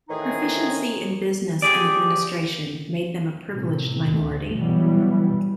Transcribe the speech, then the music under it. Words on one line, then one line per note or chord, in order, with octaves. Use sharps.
Proficiency in business and administration made them a privileged minority.
A2 C3 D#3 E3 D#4 G#4
G4 G#4 D5
A2 C3
D2 A3
B2 E3 F#3 G3 B3